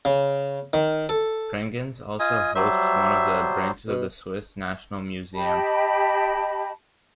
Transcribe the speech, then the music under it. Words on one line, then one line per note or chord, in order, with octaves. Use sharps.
Prangins also hosts one of the branches of the Swiss National Museum.
C#3
D#3
A4
F4 D#5 G#5
F#3 G3 C5 E5
B2
G4 D#5 A5 B5